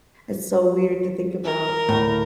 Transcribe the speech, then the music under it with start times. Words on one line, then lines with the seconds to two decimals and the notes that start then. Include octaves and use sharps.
It's so weird to think about.
1.44 A#4
1.89 D2 A2